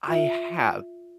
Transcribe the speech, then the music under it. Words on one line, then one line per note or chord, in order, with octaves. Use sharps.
I have,
F4 E5